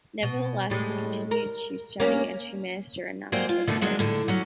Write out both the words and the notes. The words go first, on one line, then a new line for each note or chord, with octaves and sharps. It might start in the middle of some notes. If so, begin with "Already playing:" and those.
Nevertheless, he continued to study and to minister in non-public ways.
B2
A2 G3 G#3
A#4
A#3 C#4
F#3 G#3 A#3 G4 C5 D5
F4
B2 D3 D#3 A3 D#4
D#3 F#3 G#3 C4 D4
A2 D3
F#3 C#4